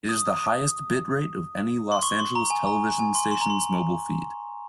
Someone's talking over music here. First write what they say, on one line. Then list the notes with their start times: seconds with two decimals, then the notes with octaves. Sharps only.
It is the highest bitrate of any Los Angeles television station's mobile feed.
0.09 D#6
1.92 C6
2.03 C#6
2.19 C6
2.35 A#5
2.50 G#5
2.67 A#5
2.99 G#5
3.15 C6
3.31 C6
3.41 A#5
3.50 C6